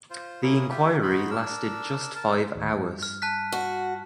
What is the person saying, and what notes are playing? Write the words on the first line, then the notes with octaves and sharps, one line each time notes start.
The enquiry lasted just five hours.
F4 C5
A#3 C#4 E4 D#6
F4 G4 E5
D#4 F#4 B5 C6
D4 A#4 E6
A#4 A5
D2 A2 D#3
G2
F6
A5 F#6 B6
F#4